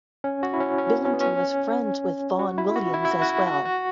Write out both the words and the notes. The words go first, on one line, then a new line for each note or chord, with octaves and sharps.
Billington was friends with Vaughan Williams as well.
C#4
F#4
E4
C#4
C#4
C#4
B3
C#4
F#4
E4
F#4
E4
E4
F#4
F#4
E4
F#4
F#4